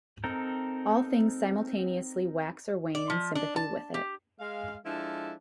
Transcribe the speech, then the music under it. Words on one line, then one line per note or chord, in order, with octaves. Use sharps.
All things simultaneously wax or wane in sympathy with it.
C4 D#4 A4 A#4
D5
F3
D4
A5
G4
G#3 F5
F3 G#3 D4 E4 A4